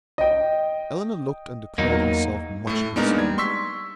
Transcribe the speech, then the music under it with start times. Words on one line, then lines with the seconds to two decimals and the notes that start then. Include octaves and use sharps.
Eleanor looked and declared herself much concerned.
0.18 D#5 G5
1.78 E2 F#3 A#3 D#4
2.67 A2 A3
2.96 G#3 A#3 B3 D4 D#4 A#4
3.18 G3 G#6
3.38 C6 C#6 E6 B6